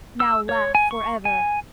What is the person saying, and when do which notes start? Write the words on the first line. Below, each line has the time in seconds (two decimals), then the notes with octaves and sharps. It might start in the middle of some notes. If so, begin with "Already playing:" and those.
"Now laugh for ever!"
0.20 E6
0.49 C#5
0.75 G#5
0.91 C#6
1.25 G#5